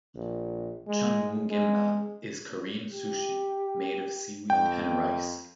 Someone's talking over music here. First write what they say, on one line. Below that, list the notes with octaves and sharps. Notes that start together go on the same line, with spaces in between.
Chungmu gimbab is Korean sushi made of seaweed and rice.
A#1
G#3
G#3
G4
F2 G5